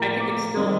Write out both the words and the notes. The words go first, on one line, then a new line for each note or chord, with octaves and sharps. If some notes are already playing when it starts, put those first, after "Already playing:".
I think it's still
Already playing: A2 F3 A#3 A#5
D6
D#3 G3 C4 D#6